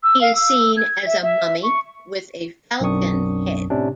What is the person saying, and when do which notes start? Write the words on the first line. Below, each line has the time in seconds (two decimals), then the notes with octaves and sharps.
He is seen as a mummy with a falcon head.
0.03 E6
0.21 F5
0.35 E6
0.77 G#6
1.06 E5
1.23 E5
1.63 C#6
2.80 B1 F#2 C4 D4 C#6 D#6
3.70 A2 C3 C#4 D4